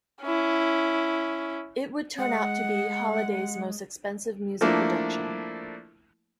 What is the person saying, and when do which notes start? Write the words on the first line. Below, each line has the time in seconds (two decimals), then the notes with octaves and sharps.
It would turn out to be Holiday's most expensive music production.
0.23 C#4 E4
2.18 G#3 F#5
4.61 F3 A3 A#3 D4 E4